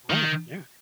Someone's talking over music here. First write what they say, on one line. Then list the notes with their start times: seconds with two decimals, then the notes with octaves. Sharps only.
right? Yeah,
0.10 D#3